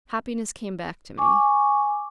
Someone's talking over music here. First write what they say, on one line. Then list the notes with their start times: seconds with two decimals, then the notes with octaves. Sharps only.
Happiness came back to me.
1.18 G#5 C#6 D6